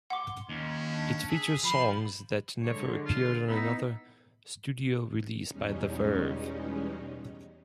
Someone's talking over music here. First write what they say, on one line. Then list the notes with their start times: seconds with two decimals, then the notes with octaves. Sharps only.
It features songs that never appeared on another studio release by The Verve.
0.10 F#5 C6 D6
0.49 D#2 C#4
0.90 D4
1.29 G#4 E5
1.64 F3 B5 C6
2.62 D3 F#3 G#3 C#5
3.05 F4
3.48 B3 D#4 E4 E5
5.48 E2 B2 G3 G#3 C#4 D#4